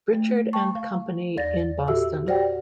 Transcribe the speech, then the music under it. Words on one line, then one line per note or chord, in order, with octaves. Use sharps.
Birchard and Company in Boston.
A3
G5 A5 C#6
F5
E2 D5 A6 A#6
A#2 F#4 G4 A4 E5 E6
F#4 G4 C5 D5 F#5 G5